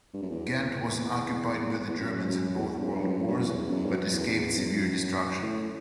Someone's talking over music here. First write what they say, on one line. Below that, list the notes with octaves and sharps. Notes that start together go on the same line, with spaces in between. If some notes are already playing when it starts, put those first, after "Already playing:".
Ghent was occupied by the Germans in both World Wars but escaped severe destruction.
G2
F#2
E2
E2
F#2
F#2
E2
G2
F#2
G2
F#2
G2
F#2
E2
F#2
G2
F#2
E2
E2
F#2
A2